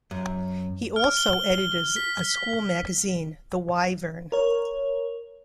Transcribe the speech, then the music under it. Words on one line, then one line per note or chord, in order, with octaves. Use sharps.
He also edited a school magazine, "The Wyvern".
F#2
F6
G7
B6
A#4 C#5